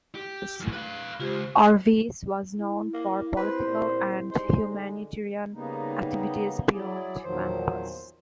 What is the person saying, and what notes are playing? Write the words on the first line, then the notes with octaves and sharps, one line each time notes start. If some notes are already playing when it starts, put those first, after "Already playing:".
Orvis was known for political and humanitarian activities beyond campus.
G4
F#2 A2
B4 F5
C#2 F4 G4 C5
E4
A#3
C3 B4 C5
A#2
G3 G#3 D#4 C5
D3
C#3 G3 A#3 B3 D#4
F#3 E4 G#4 D5
E2 A#2 D#3 F3 F#3 C5